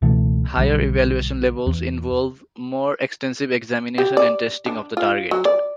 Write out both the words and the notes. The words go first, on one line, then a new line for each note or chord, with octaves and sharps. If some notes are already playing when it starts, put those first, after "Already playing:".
Higher evaluation levels involve more extensive examination and testing of the target.
C#2 B2 E3 A3
B1 D3 G3
E2
G4
D5
D4
F4
F#3
D5